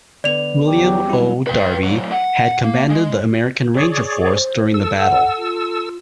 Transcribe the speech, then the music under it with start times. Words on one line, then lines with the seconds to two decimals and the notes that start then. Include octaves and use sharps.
William O. Darby had commanded the American Ranger Force during the battle.
0.24 D3 B3 B4 D5 F7
0.67 E2 F#3 G4
1.05 G3 C4 E4
1.47 B4 G5
1.84 A2 F#3
2.11 F#5
2.64 A#3
2.90 G#3
3.74 G#4 C#5 D5
4.20 C5
4.74 A4 E6
4.99 F#5
5.37 F4